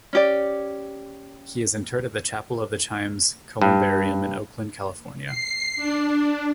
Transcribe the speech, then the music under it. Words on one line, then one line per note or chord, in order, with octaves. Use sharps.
He is interred at the Chapel of the Chimes columbarium in Oakland, California.
C#4 G4 D5
G2
C7
D4